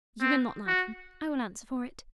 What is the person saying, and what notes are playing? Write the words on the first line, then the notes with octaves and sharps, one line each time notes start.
"You will not like him, I will answer for it."
C4
F#4